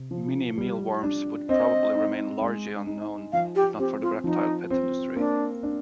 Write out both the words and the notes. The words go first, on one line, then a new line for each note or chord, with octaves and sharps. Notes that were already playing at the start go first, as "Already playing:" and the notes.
Mini mealworms would probably remain largely unknown, if not for the reptile pet industry.
Already playing: C3
F3
G3
D4
C4 D#5
D#4
G#3
D#4
F3 F5
G4
C4 G4
F4
F3 D#4
C4
A#3 D4
D4